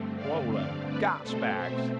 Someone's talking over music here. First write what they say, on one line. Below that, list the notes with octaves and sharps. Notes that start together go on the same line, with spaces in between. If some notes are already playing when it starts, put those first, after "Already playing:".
Swollen gas-bags!
Already playing: G2 D3 A3 C4
D5 F5
D5 F5
B4 D5
B2 A3 C4 A4 C5
C5 E5